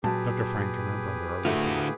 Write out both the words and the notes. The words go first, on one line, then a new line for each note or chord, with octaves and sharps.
Dr. Frank and her brother are with her.
A#2 F#3 G4 G#4 B4 A5
A2 D3 A3 F4 F#4